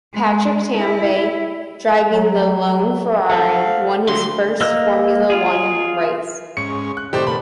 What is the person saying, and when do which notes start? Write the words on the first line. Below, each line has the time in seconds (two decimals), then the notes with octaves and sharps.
Patrick Tambay, driving the lone Ferrari, won his first Formula One race.
0.13 G#3
0.77 E4
2.10 F#3
3.30 A4 C5 F5 F#5
4.09 D3 F#3 A3 C6
4.61 A#3 D#5 E6 F#6
5.30 F4 G#4
6.57 G#2 C#4 C#7
6.97 F#6
7.13 A2 C3 D#3 G4 C5 D5
7.27 A#2 A3 B3 B5